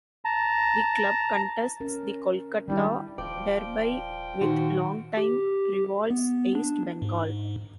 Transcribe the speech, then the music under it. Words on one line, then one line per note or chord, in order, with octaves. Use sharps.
The club contests the Kolkata Derby with long-time rivals East Bengal.
A5 A#5
C#4 A#4
D#3 G3 D4 E4
D#1 F3 D5 G5
A#2 D#3 D#4 F#4
G4
B3
D4
G#2